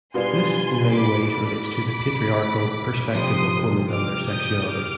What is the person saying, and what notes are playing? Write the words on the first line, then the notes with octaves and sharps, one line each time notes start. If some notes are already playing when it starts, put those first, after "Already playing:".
This, in many ways relates to the patriarchal perspective of women and their sexuality.
B2 G3 B3 D4 F4 G#5 C6
B5 D6
B5 D6
F2 C3 F3 C6 D#6
D6 F6
D#6 G6
D6 F6